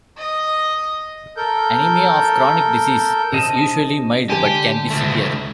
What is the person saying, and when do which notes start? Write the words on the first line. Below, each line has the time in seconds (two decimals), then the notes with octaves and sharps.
Anemia of chronic disease is usually mild but can be severe.
0.17 D#5
1.37 A4 A#4 G6
3.33 C3 D#5 A5
4.30 D3 G4 G#5
4.90 C#2 A3